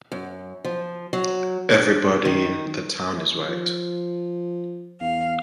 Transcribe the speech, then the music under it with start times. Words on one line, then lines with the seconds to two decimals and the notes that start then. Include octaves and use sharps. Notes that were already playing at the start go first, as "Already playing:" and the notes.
Everybody in the town is white.
0.12 F#2
0.65 F3
1.13 F#3
1.72 D4
2.25 D#3
3.48 F3
5.01 E2 F5